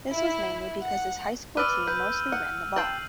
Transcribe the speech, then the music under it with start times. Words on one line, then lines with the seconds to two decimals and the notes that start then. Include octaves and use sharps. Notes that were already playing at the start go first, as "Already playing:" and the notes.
This was mainly because his high school team mostly ran the ball.
0.10 E4
0.82 F#5
1.57 B4 D5 E6 F6 D#7
1.87 B4 G6
2.32 F#5
2.76 G5 A5 E6 C7 F#7